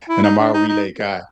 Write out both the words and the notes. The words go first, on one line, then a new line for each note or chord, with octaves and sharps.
and I'm our relay guy.
E4
D#4
D4
D#4
D#4